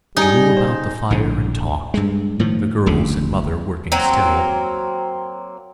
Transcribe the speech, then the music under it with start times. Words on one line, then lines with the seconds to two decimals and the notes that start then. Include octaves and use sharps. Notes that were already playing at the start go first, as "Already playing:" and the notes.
They drew about the fire, and talked; the girls and mother working still.
0.17 G3 D#4 G#4
0.57 C5
1.10 A#1 A2 D3
1.94 G2 G#3
2.40 A2 D#3 F3
2.86 F#1 D2 C#3
3.92 F#3 A#3 C4